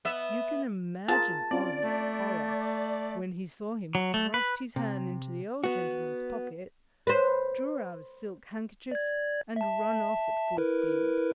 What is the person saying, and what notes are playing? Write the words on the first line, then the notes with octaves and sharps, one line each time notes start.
You can imagine Oliver's horror when he saw him thrust his hand into the old gentleman's pocket, draw out a silk handkerchief and run off at full speed.
B3 E5
F4 G#4 A#4 A5
C4 C#4 F4 D5
A3
F#3
A3
B4
C3
B3 F#4
B4 C5
D5 G#6
E5 A5
E4 A#4 B4